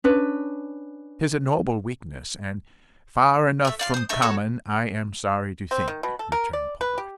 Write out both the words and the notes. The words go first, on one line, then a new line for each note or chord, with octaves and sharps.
"It is a noble weakness, and far enough from common, I am sorry to think," returned Polwarth.
C#4 D4 B4
A3 E5
D5 F5 C6
C5 D#6
A3 D#4 E5
F#4 A4 C#5 A5
C4
D#3
B2
A4
A#4
D5
B4
G4